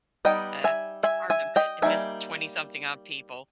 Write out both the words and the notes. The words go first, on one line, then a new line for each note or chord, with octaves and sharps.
uh, it's hard to mi miss twenty-something, odd people.
G3 B3 D#4 D#5 G5
E5 G#5
E5 G#5
E5 G#5
D#5 G5
G3 A#3 D#4 E5 G#5